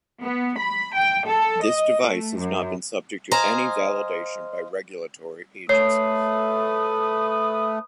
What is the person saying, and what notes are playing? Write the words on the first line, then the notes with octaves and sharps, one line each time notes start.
This device has not been subject to any validation by regulatory agencies.
B3
B5
G5
A4
D#5
A3
F#2
C5 D#5 F5 G#5 A#5
A3 B4 C#5 D#6 C7